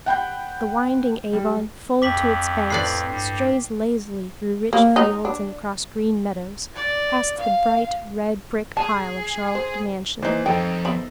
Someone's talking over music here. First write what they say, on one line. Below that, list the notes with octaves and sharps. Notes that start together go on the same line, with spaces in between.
The winding Avon, full to its banks, strays lazily through rich fields and across green meadows, past the bright red-brick pile of Charlcote Mansion.
F#5 G5 B5 G6
G3
F2 G5 D6 B6 F#7
A2 B4 D5 C7
G2
A#3
D#4
D4
D5
F5
G#4 A5
C5
E3 A#3 D#4 C5
F2 C4 D#4 A4 C5 G5
B3 E5 B5